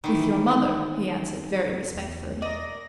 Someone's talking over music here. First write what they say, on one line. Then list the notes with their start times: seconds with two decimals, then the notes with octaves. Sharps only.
"With your mother," he answered very respectfully.
0.04 D#3 E3
1.95 E1 E2
2.42 A#4 D5 D#5 A#6